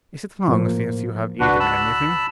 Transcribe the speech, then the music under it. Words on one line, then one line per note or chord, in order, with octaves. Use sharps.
"Is it long since you have eaten anything?"
A2 F3 A#3
C#2 D4 F#4 B4
A5 B5 E6